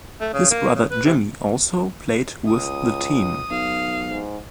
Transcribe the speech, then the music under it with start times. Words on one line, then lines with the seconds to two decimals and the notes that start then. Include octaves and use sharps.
His brother Jimmy also played with the team.
0.21 A3
0.33 C#3
0.51 A#3
0.75 C#3
0.91 B4
1.06 C3
2.47 C#2 D#6
3.51 B1 F5
4.05 G#2